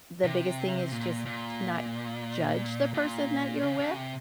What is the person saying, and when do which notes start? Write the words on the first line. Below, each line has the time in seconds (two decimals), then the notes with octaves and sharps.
the biggest thing is just to not judge the person that you're with,
0.24 C3
0.92 A#2
1.26 A#2
2.94 A#2
3.63 C#3
3.79 C#3
3.96 C3